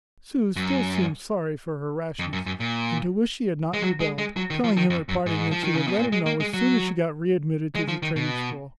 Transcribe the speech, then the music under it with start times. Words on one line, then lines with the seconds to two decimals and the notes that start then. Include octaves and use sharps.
Sue still seemed sorry for her rashness, and to wish she had not rebelled; telling him at parting that she would let him know as soon as she got re-admitted to the training-school.
0.56 F#2
2.19 F2
2.33 F#2
2.46 F#2
2.60 A#2
3.73 G#3
3.82 F#3
4.00 G#3
4.18 G#3
4.36 F#3
4.50 D#3
4.64 F3
4.77 D#3
4.90 F2
5.09 F#2
5.26 G#2
5.51 F3
5.64 D#3
5.75 C#3
5.87 B2
5.99 A#2
6.12 G#3
6.26 A#3
6.40 G#3
6.54 F#3
7.75 G#3
7.88 F3
8.02 D#3
8.16 B2